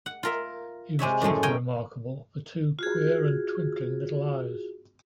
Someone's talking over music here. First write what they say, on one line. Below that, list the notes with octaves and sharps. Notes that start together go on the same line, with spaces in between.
He was chiefly remarkable for two queer and twinkling little eyes.
F#5
F4 A#4 E5
C3 G#3 C#5 E5
F#2 A2 G#3 A3
A#4 C#5 D#5 G5 G#5
F4 F#4 G#4